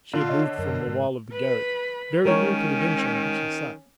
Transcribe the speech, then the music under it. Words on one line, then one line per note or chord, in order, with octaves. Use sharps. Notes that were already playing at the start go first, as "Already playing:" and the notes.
She had moved from the wall of the garret, very near to the bench on which he sat.
D3 F4
C#5 D#5
F#2 A#4
G#2
B4 B5
D#3 G#3 C#4 A#4 C#5